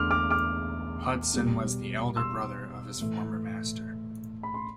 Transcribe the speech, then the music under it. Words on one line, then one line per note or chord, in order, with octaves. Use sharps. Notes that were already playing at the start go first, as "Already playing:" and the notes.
Hudson was the elder brother of his former master.
Already playing: E2 D3 A3 C6 D6 F6
D6 F6
D6 F6
B2 G3
C6 E6
A2 E3 A3
B5
C6